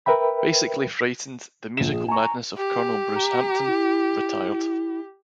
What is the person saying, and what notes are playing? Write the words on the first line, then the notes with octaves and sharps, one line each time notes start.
Basically Frightened: The Musical Madness of Colonel Bruce Hampton, Ret.
A#4 B4 E5 G5 B5
A#1 E7
G#4
G#5 A#5 C#6
G4
A#5
E4